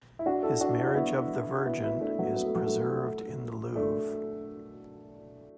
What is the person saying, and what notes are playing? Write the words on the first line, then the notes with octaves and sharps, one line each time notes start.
His "Marriage of the Virgin" is preserved in the Louvre.
E4
D4 F#4
E4 A4
D4 F#4
E4
D4
B3 E4
B3 E4
B3 E4
A3 D4
F#3 B3
B3
A3
F#3
A3
A3 D4